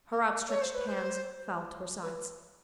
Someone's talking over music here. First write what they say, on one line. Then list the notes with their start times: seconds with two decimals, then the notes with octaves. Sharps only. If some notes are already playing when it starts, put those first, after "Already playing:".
Her outstretched hands fell to her sides.
0.12 A#4
0.49 C#5
0.62 C5
0.74 B4
0.87 C5
2.03 B4